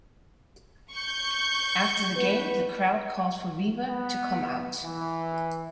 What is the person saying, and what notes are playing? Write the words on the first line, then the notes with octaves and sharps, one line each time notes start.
After the game, the crowd called for Weaver to come out.
C#6 G6
E3 B3 B4
B3
E3